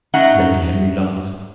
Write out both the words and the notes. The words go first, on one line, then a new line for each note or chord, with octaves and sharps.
Lady Henry laughed.
F#3 A3 C#4 D#4 E5 F#5